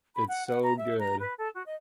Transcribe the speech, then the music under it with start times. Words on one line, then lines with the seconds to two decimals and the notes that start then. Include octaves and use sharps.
it's so good.
0.15 B5
0.29 F#5
0.47 F#5
0.62 A#5
0.78 E5
0.98 A#5
1.19 B4
1.38 A4
1.54 F#4
1.66 D#5